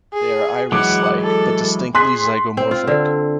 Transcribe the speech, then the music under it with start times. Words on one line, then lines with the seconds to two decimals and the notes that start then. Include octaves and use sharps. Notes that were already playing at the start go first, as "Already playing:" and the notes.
They are iris-like but distinctly zygomorphic.
0.13 G#4
0.72 E3 F#3 G#3 F#5 D6
1.21 A4
1.95 G#4 C6 F#6 B6
2.57 C4
2.71 F4
2.87 D3